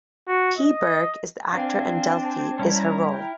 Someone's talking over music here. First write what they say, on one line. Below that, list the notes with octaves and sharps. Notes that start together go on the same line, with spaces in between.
P. Burke is the actor and Delphi is her role.
F#4
D#5
C4 D4 F5 G#5
C5 G#5 A5
G3 C#4 E4 A#5
E4 G5 F6